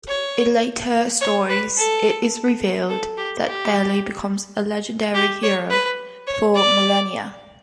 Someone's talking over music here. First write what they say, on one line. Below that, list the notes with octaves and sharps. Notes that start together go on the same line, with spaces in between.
In later stories, it is revealed that Baley becomes a legendary hero for millennia.
C#5
C#5
B4
A4
A4
G4
G4
G4
C#5
B4
C#5
D5